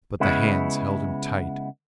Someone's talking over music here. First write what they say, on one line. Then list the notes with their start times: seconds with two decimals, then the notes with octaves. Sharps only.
But the hands held him tight.
0.20 C#3 G#3 B3 E4